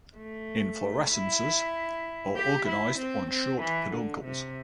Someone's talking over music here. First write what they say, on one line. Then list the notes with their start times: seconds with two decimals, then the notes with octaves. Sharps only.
Inflorescences are organized on short peduncles.
0.17 A3
1.10 E4
2.36 G4
2.68 E4
2.98 C4
3.31 C4
3.61 E3
3.93 D3
4.24 C3